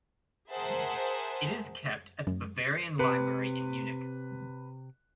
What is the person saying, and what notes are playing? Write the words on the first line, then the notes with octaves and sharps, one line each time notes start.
It is kept at the Bavarian library in Munich.
G#4 A#4 C5 E5 F#5 A5
F#2
C3 B4